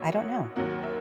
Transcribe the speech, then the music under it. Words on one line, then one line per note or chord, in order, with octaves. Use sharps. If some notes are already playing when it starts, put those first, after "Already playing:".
I don't know.
Already playing: B1 B2 A#3 C#5
F#5
D#2 D#3 F#3 A#3 F#5
E5